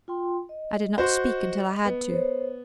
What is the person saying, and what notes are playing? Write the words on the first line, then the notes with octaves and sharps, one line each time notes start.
I did not speak until I had to.
F4 G5 C6
D#5
F#4 C5
B3
C5 C#5